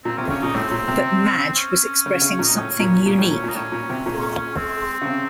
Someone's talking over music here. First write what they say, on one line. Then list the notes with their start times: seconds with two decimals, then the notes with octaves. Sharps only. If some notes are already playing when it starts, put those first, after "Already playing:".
But Madge was expressing something unique.
0.05 A#2 C4
0.17 C3 C#4
0.30 C#3 C#4
0.42 A#2 D#4
0.55 A2 C4
0.71 A#2
0.88 C3
1.55 C#4
2.06 C#3
2.22 C#3
2.39 A#2
2.44 D#4
2.55 A2 C#4
2.80 A#2
3.06 A#2
3.18 A2
3.31 A#2
3.44 A#2
3.48 D#4
3.55 A2 C#4
3.72 A#2
3.90 C3
4.06 A#2
4.56 C4
5.02 C#3
5.06 C3